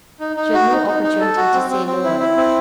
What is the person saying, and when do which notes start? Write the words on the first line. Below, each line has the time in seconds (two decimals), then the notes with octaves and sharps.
She had no opportunity to say more.
0.20 D#4
0.36 D#4
0.54 F#4
0.70 D#4
0.87 D#4
1.03 D#4
1.20 A4
1.37 F#4
1.53 C4
1.70 C4
1.86 C4
2.04 E4
2.20 E4
2.37 C4